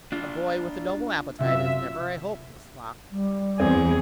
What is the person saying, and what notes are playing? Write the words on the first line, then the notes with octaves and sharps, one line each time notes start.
A boy with a noble appetite is never a hopeless lock.
D4 F4
F#2 C3 F4 E5
G3
E2 C4 G#4